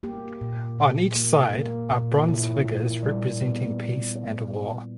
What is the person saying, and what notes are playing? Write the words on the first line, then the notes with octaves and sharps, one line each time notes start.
On each side are bronze figures representing peace and war.
A#3 G4
A#2
A#2
A#3
A#3
A#2
A#2 E4
A#3
G3 D5
B3